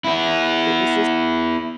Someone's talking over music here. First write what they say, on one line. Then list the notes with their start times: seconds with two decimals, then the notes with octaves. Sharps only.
it was just
0.04 B3 E4